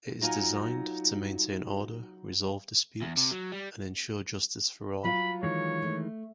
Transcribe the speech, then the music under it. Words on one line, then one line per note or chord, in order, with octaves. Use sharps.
It is designed to maintain order, resolve disputes, and ensure justice for all.
F#3 D#4 F4 G#5
E2
C3
F#3
G3
F#3 F4 B5
D#3 E3 G#3 C#5
A3